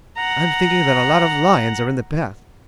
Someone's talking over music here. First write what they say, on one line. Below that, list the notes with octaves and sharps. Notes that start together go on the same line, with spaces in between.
"I'm thinking that a lot of lions are in the path."
F#5 A#5